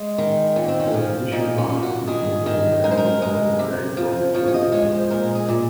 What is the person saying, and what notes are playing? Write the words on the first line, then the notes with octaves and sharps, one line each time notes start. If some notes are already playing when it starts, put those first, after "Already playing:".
The "vishuvant" is mentioned as an important day for rituals.
Already playing: G#3
D#3
A#2 C#4
C4
C#4
F3
A#2 D#4
C#4
A#2
F#4
D#3 G#4
D#3
G#3 A#4
C5
A#4
G#3
C3
F3
F3 C#5
C#5
D#5
G#3 C#5
C5
A#2 A#4
G#4
A#2